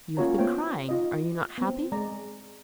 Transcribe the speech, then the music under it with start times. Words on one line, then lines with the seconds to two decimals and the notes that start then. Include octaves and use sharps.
'You have been crying--are you not happy?'
0.17 A#3 C#4 F4 F#4 C#5 A#5
0.38 B3 F4 C5 C#5 E5 G5
0.89 D#4 F4 D#5
1.58 B3 C4
1.92 G#3 D5 A#5